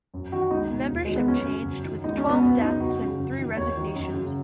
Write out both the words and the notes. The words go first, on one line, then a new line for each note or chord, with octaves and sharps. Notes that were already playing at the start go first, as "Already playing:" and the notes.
Membership changed with twelve deaths and three resignations.
F#2
D#3 F#4
C#2 D#4
B2
D#2
D#3 G#3
B3
F#2 C#4
C#3
F#2
D#3
C#2 D#4
C#4
B2
B3
F#2 B3
C#3 D#4
F#2 F#4
C#3
F#2
D#3
D#2 C#5
D#3
F#2
C#3